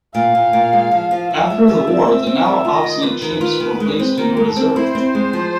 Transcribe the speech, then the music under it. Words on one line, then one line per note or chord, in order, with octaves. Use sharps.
After the war, the now obsolete ships were placed in the reserve.
A#2 F5
A#2
A#2
G#3
F3
F3
F3 E5
G#3
F3
C4
C4
C4
D#3 E5
F4
D#5
D#3
F4 B4
D#3
F4
D#3
G#3
C4
D#3 A#4
G#3
A4
C4
E4 C5
C4
G#3
F3